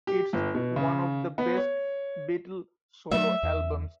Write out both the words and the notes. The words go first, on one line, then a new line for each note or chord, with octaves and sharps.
It's one of the best Beatle solo albums.
G4
G1
B2
C#3
B3
C#5
F#3 G#3 A3 E5
E2